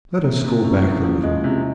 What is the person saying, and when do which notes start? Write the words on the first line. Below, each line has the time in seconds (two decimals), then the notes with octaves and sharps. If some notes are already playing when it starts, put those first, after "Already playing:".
Let us go back a little.
0.24 C3 A#3
0.44 C3 A#3
0.64 C3 C#4
0.83 F3 E4
1.04 F3
1.23 G#3
1.44 C3